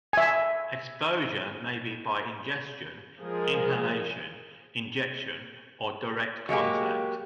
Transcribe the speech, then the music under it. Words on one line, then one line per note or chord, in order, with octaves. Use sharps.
Exposure may be by ingestion, inhalation, injection, or direct contact.
E5 G#5
F3 G#3 G#4 A#4
F#3 G#3 A#3 G4